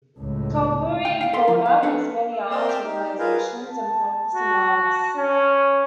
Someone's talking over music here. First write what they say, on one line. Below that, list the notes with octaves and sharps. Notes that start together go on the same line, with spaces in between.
Kalgoorlie-Boulder has many arts organisations and practising artists.
C#2 A2
D2 G5
F5 G5
A4 E5 C6
F3 E4
F5
D4 A4 B4 C#5
A4
A#3 C4 A#4 D5 C6 E6
E5 G5 D6 F6
D#4 G4
F4 G#4 A#4 B4
A5
F#4
C#4